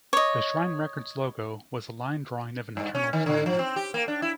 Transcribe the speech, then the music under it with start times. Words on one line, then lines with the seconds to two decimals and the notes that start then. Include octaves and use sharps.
The Shrine Records logo was a line drawing of an eternal flame.
0.13 C#5 D#5
2.77 G2
2.95 C#4
3.13 D#3
3.26 D3
3.46 F3
3.59 C4
3.76 G4
3.94 A#3
4.08 D4
4.22 E4